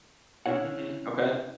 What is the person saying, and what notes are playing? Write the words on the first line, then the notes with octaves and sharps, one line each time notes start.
Mhm. Okay.
C#4 D4 E4 C#5 F#5